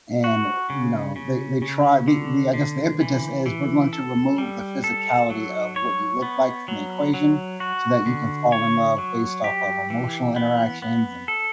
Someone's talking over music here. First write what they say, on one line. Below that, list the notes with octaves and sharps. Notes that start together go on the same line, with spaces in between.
and, eh, you know, they they try the the I guess the impetus is, "We're going to remove the physicality of what you look like from the equation so that you can fall in love based off of emotional interactions and
F#4
C#3
C#3
C#3
D3
D3
E3
E3
A4
G3
A4
F#3
C#5
B3
F#3
F#3
F#4
D3
C#5
F#3
G4
E3
B3
B3
A4